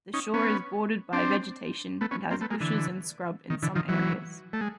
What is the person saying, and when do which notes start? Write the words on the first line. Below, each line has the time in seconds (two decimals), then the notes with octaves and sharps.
The shore is bordered by vegetation and has bushes and scrub in some areas.
0.14 C#4 D#4
0.34 B3 C#4
1.13 C4 D4
2.01 A3 B3
2.11 B3 C#4
2.30 A#3 C4
2.41 A3 B3
2.50 G#3 A#3
2.61 D3 E3
3.50 D#3
3.62 D3 E3
3.75 D#3 F3
3.89 E3 F#3
4.53 A3
4.61 G#3